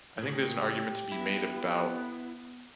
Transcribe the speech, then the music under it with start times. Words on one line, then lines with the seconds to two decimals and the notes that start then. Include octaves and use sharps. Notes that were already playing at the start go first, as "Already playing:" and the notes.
I think there's an argument to be made about,
0.18 A2 C#3 G4
1.12 B3 E4